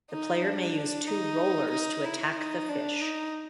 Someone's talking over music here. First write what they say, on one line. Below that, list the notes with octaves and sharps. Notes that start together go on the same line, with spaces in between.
The player may use two "rollers" to attack the fish.
D#4
D4
D#4
D#4
E4
D#4
D4
D#4